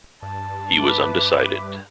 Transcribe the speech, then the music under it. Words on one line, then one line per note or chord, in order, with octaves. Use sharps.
He was undecided.
G2 A5
B4 E5 D6